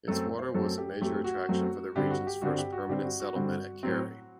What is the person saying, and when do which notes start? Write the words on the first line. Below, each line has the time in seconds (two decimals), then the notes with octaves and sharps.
Its water was a major attraction for the region's first permanent settlement at Carey.
0.08 F#2 F#3 A3 C4 A4
0.39 C5
0.54 F#2 F#3 A3 C4 A4
0.78 G4
1.01 F#2 F#3 A3 C4 G4
1.24 F#4
1.49 F#2 F#3 A3 C4
1.95 G2 D3 G3 C4 G4
2.10 F#4
2.27 G4
2.41 G2 D3 G3 C4 F#4
2.58 G4
2.73 F#4
2.89 G2 D3 G3 C4 G4
3.05 F#4
3.20 F#4
3.35 G2 D3 G3 C4
3.83 A2 F#3 C4